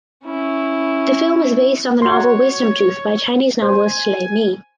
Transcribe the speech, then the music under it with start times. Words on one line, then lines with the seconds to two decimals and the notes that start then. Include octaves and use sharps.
The film is based on the novel "Wisdom Tooth" by Chinese novelist Lei Mi.
0.25 C#4 E4
2.02 F#4 C#5 C6
3.62 C5 G#5